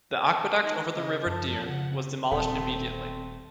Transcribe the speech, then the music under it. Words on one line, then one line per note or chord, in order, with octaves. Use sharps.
The aqueduct over the River Dearne was demolished immediately.
A4
D#4
C#3 D#5
F#2 F3 A4
C#3 F#5
D#1 A3 C4 A4